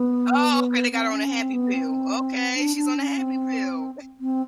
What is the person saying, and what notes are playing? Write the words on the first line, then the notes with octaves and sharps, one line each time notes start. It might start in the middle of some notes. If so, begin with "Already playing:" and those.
Oh, okay, they got her on a happy pill, okay, she's on a happy pill.
Already playing: B3
C4
C#4
C4
B3
C4
D4
D4
C#4
C4
C4